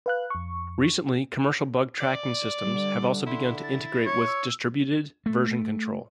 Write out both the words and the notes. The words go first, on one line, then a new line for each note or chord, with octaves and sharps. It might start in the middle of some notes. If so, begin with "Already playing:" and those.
Recently, commercial bug tracking systems have also begun to integrate with distributed version control.
B4 F5 F#6
F2 C#6
D5
D3 G3
E4 C6
A6
C#5
E6
A3